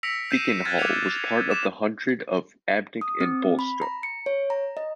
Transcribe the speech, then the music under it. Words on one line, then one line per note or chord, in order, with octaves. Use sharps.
Bickenhall was part of the hundred of Abdick and Bulstone.
E6 A#6 B6 C#7 D7 F7
G6 C7 D#7 E7
F6 F#6 G#6 A6
D6 F6 F#6 G#6 C#7 F7
D6 E7
D#6
C4
B5
A#5
C#7
C#5
A#5
D#5